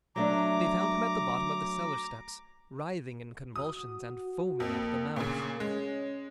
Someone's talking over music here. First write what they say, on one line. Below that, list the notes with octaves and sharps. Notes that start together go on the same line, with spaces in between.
They found him at the bottom of the cellar steps, writhing in convulsions and foaming at the mouth.
F#3 A3 D4 A#5 D6
F#4 D#6
F2 A#3
A#2 C#3 A#3
G#3 C#4